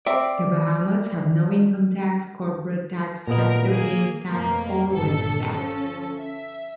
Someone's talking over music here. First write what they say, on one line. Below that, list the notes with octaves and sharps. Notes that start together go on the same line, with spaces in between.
The Bahamas have no income tax, corporate tax, capital gains tax, or wealth tax.
C4 D5 E5
A#2 B3 A#4 D#5
A#3 G#4
F2 B2 A3 A#3
G1 A#2 D3 A4
F3 C#4 A4
E5